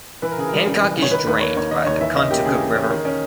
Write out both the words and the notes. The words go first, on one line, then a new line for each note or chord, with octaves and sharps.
Hancock is drained by the Contoocook River.
E3 B4
A#4
C#3 G#4
G3 A#4
C#3
E3
C#3
C#5
D#3 B4
D#2 B4
A#3 C#5
D#2 C#5
D#3 D#5
D#2 C#5
E3 E5
C#4 D#5
A#3 G4
C#3 G#4
E3
C#4
D#3
C#4